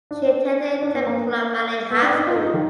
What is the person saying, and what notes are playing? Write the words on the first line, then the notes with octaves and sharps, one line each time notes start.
She attended Temecula Valley High School.
D4
D4
B3
A#3
B3
D4
D#4
F4
D#4
D#3